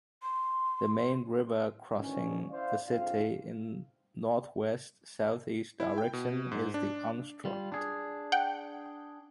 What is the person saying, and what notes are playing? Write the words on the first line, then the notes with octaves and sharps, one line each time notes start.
The main river crossing the city in northwest-southeast direction is the Unstrut.
C6
D2 D#3 E3 C#4
E4 C5 D5 F5
G#2 D3 C4 F4 F5
E4
G5
B2
G#2
D4
G3 F4
D4 G#4
F#5 G5